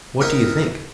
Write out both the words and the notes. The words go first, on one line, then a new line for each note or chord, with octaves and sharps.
What do you think?
E4 A#4 D#5 F#5 G5